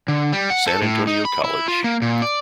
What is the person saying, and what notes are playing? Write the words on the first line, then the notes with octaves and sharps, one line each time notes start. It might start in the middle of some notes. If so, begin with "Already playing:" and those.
San Antonio College.
D3
G3
F#5
A4
A2
D#4
B5
E4
F4
A#3
A#2
D5